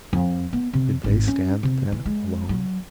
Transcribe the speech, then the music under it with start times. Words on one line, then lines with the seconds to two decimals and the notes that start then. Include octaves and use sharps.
Did they stand then alone?
0.13 F2
0.53 B3
0.73 C3
1.04 G#1
1.28 C#4
1.63 C3
1.92 E3
2.06 G#3
2.49 F#3